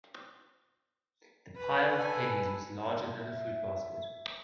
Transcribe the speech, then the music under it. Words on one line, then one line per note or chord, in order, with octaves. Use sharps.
The pile of pennies was larger than the fruit basket.
B4
A4 G#5
E5